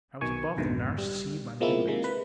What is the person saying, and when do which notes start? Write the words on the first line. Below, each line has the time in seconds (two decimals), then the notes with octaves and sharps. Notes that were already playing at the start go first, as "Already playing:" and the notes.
I was above the Nares Sea, by midnight.
0.21 B1 B2 D#3 G#5 C#6
0.57 B1 F2 G#2 B2 D3 D#3
0.98 G3
1.60 B2 F3 G#3 A#3 C4 E4
1.87 C3 D#3 G#3 A#3
2.04 B4 B5